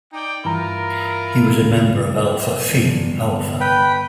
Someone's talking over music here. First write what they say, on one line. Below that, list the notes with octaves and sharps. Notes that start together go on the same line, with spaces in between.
He was a member of Alpha Phi Alpha.
D#4 D5 G5
G2 E3 E4 F4 A#4 A#5
D#2 G#2 C#3
G1
B4 G5